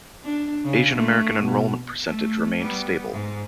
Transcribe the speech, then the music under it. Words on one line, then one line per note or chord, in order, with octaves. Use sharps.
Asian American enrollment percentage remained stable.
D4
C#3
A3
B2
A3
G3 B3
G#2